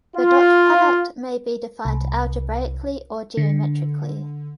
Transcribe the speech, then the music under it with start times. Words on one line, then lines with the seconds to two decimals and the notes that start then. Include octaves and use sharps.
The dot product may be defined algebraically or geometrically.
0.15 F4
1.85 C2
3.37 D3